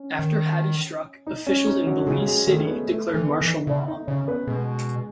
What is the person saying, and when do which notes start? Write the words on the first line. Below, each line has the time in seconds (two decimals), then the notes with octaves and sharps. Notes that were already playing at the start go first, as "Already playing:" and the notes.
After Hattie struck, officials in Belize City declared martial law.
Already playing: C#4
0.19 D#3
1.27 D#4
1.47 C#4
1.67 D#4
1.86 F#3 F#4
2.07 C#3 G#3 G#4
2.27 G#3 G#4
2.47 D#3 A3 A4
2.67 B3 B4
2.87 A3 A4
3.07 A3 A4
3.14 E3
3.27 B3 B4
3.41 E3
3.47 D#4 D#5
3.67 C#3 E4 E5
3.87 D#4 D#5
4.07 C#3 C#4 C#5
4.28 B3 B4
4.47 B2 G#3 G#4